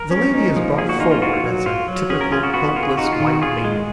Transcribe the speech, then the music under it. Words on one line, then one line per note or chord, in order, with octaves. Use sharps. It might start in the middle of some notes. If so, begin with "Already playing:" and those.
The lady is brought forward as a typical helpless white maiden.
Already playing: A#4
C#4
D#4
F3
A#3 G#4
F#4
D#4 F4
F4
F4 F#4
F#3
F4
F#3
C#4 G#4
A#4
F4 G#4
F#4
B3 F#4
F#4
F4
G#4
D#4 F#4
F4
D#3
F#4
F4 G#4
G#3